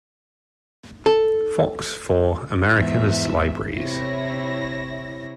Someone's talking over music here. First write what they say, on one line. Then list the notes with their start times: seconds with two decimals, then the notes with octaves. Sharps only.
Fox for America's Libraries.
1.06 A4
2.75 E2 G#2 E5
3.75 C3 E4 C#5 A#6